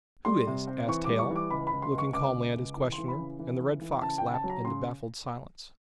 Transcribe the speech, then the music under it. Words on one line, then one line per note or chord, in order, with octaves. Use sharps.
"Who is?" asked Hale, looking calmly at his questioner, and the Red Fox lapsed into baffled silence.
G3 C6
C3
C4
E3 C#6
G3 D6
C#6
E3
D6
C#2 B5
C#2 B5
C6
C#2
C#6
C#2 D6
C#2
C#2
E3
C6
E3
B5
C#3
E3
E3
E3
C#3 A5
G5
C#3
A5
F#3
A#5
C#3 C6